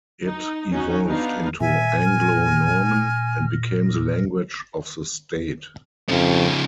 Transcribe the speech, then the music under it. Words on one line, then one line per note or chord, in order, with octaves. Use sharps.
It evolved into Anglo-Norman and became the language of the state.
D#4
C#4 D#4 F#4
B3 D4 D#4 F5
A#2 E5 G#5
F6
F2 C#3 F3